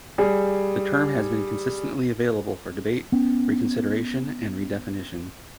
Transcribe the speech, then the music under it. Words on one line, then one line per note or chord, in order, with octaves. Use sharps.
The term has been consistently available for debate, reconsideration, and redefinition.
G3 G#4
B3 C#4